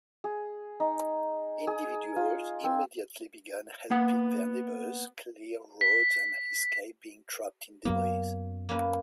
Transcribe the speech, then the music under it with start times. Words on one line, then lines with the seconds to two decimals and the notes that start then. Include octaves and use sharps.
Individuals immediately began helping their neighbors clear roads and escape being trapped in debris.
0.24 G#4
0.80 D#4
1.67 G#4
2.16 F4
2.64 C4
3.91 A#3 B3 F#5
5.81 B6
7.85 F#2 F#3 A#3 B3
8.69 A#3 C#4 B4